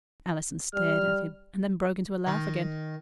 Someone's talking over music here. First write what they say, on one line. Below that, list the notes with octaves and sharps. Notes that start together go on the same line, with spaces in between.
Allison stared at him, and then broke into a laugh again.
G3 F6
D#3